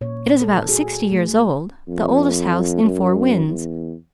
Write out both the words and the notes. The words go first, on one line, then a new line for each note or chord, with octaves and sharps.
It is about sixty years old--the oldest house in Four Winds.
A#2 C#5
A4
F#4 G#4
A3
F2
F#2
E2